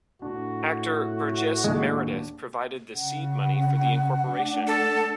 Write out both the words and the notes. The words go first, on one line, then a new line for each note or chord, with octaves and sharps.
Actor Burgess Meredith provided the seed money for the incorporation.
A2 D4 F#4
D#2 G#3 D4
C#3 F#5
A3 D4
A4